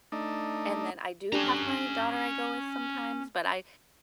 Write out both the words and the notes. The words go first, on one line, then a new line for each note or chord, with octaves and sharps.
and then I do have my daughter I go with sometimes, but I
A3 D4 D#4
C#4 D4 G4 A#5